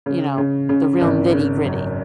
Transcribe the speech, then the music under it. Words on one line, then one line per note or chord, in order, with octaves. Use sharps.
you know, the real nitty-gritty?
C#3
C#3
C#3
G#1
C#3
F#2